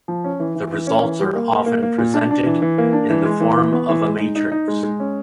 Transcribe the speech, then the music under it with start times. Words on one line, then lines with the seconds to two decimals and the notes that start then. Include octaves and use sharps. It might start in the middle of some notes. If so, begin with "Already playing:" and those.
The results are often presented in the form of a matrix.
0.08 F3
0.24 C#4
0.40 E3
0.55 E3
0.72 E3
0.87 C#4
1.03 E3
1.20 G3
1.35 A#3
1.51 A#3
1.66 A#3
1.82 A#3
1.98 A#2
2.14 D4
2.31 D4
2.46 E3
2.62 E3
2.78 A#3
2.93 D4
3.10 E3
3.25 G#3
3.40 E3
3.57 E3
3.73 B3
3.89 E3
4.05 G#3
4.20 D#4
4.35 D#4
4.52 D#4
4.68 G#3
4.83 G#3
5.00 C#4